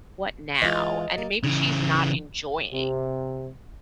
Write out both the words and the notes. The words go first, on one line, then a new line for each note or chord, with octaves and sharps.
What now? And maybe she's not enjoying
E3 G#3 F4 D#5
A#3
C#3 E3
C3